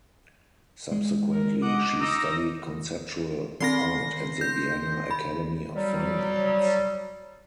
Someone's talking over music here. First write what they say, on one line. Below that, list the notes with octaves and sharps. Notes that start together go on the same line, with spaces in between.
Subsequently, she studied conceptual art at the Vienna Academy of Fine Arts.
G#3
A#4
D#5 F#5 D6
D#4 E6 A#6
D#3 C4 C6 A#6
G6
B5
F#3 G3